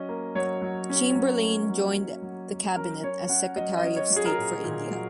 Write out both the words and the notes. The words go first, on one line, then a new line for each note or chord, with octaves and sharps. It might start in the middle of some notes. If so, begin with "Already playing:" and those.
Chamberlain joined the cabinet as Secretary of State for India.
Already playing: F#3 C#4 D#5
A#3
F#3 C#5
F#3
C#4
F#3
A#3
F#3
F#3
F#3
F#3
C#4 A#4
C#4 C#5
C#4 F#5
F#3 D#5
D#5
C#4
C#5
F#3
G#4
A#4
G#4
A#2
A#2
F#3